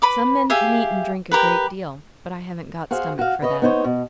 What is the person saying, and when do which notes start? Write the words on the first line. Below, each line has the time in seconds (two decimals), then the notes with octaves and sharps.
Some men can eat and drink a great deal, but I haven't got stomach for that.
0.02 B4 B5 D6
0.50 G4 G#4 E5 F5
1.31 G4 A#4 B4
2.91 F#4 G#4 C5 F5
3.19 F#4 F5
3.42 B4 C#5 D#5 E5
3.62 B3 D#4 C5 C#5
3.84 B2